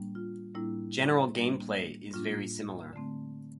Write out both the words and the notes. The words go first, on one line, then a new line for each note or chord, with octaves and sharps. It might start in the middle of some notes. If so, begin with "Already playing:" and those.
General gameplay is very similar.
Already playing: A2 G3 A#3 D4
F4
A2 G3 A#3 D4 E4
A2 G3 A#3 D4
A2 G3 A#3 D4 F4
D3 A3 C4